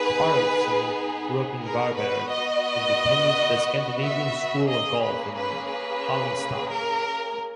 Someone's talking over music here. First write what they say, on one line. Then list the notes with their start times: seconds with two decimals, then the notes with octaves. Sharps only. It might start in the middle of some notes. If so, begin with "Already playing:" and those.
Carlsson grew up in Varberg and attended the Scandinavian School of Golf in Halmstad.
Already playing: B3 D#4 G#4 B4
1.62 A#4
1.96 B3 F#4 B4
2.30 D#5
4.00 E5
4.67 A#3 C#4 G#4 D#5
5.01 B4
5.35 B4
5.69 B4
6.71 A#4